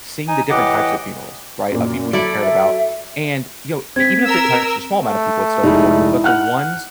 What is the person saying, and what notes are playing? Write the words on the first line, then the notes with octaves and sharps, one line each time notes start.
seeing the different types of funerals, right? Of people you've cared about. And, you know, e even if they touched a small amount of people, it's still important. But the ones
D#4 G#5
A2 E3 G4 D#5 F#5 D6
F#2 A#2
F#3 E4 A4 D5
E5
C4 G#6 B6
A#4 E6
A3
F1 G#3 D#4 E4
F#5 F6 F#6